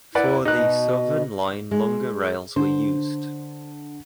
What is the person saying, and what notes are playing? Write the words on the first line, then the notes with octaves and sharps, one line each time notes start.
For the southern line longer rails were used.
E4 B4 D5 F#5
B2 D#4 F#6
G#3
D3 C5